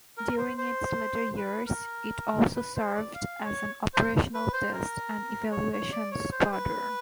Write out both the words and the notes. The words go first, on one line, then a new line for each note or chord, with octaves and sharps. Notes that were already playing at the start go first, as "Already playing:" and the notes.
During its later years it also served as an operational test and evaluation squadron.
A#4
C5
C5
B4
A#4
B4
C5
D5
F5
C#5
C5
B4
C5
A#4
C#5
C#5
D5
C#5
C5
B4